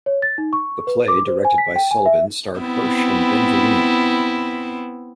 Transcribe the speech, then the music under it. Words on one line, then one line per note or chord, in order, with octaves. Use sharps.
The play, directed by Sullivan starred Hirsch and Ben Vereen.
C#5
A6
D#4
C#6
B4
D6
C5
G#5
B6
G5
G#5
E5
B3 C4 E4